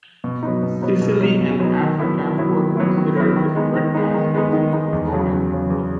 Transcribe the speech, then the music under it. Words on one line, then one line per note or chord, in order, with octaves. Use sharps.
Sicily and Africa were considered the breadbaskets of the Roman Republic.
B2
F#3 B3 D#4
B2
F#3 B3 D#4
B2
F#3 B3 D#4
B2
F#3 B3 D#4
D#3
F#3 B3 E4
D#3
F#3 B3 E4
D#3
F#3 B3 E4
D#3
F#3 B3 E4
D#3
G#3 B3 D#4
D#3
G#3 B3 D#4
D#3
G#3 B3 D#4
D#3
G#3 B3 D#4
E2
C#3 F#3
E2
C#3 F#3
E2